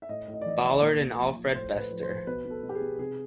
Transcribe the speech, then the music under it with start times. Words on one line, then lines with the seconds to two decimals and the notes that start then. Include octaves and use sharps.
Ballard and Alfred Bester.
0.02 E5
0.09 A2 D#5
0.28 A2
0.34 D#5
0.41 D5
0.46 E3 D#5
0.64 E3
0.82 A#2
1.00 A#2
1.18 F3
1.36 F3
1.54 A2 C5
1.73 A2
1.78 B4
1.90 F3
2.02 C5
2.09 F3
2.27 B2 B4
2.45 B2
2.50 A4
2.63 B2
2.69 G4
2.75 G#4
2.81 B2
2.99 C3 G#4